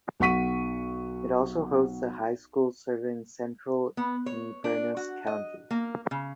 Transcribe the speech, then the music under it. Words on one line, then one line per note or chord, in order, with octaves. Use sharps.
It also hosts a high school serving central Inverness County.
B1 F#5 C#6 B6 D#7
B3
C#5
D4
F#4
D#5
A#3
C#3